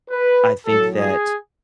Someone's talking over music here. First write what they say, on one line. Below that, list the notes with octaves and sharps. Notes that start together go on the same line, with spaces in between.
I think that
B4
A2 F#3 A4
G#4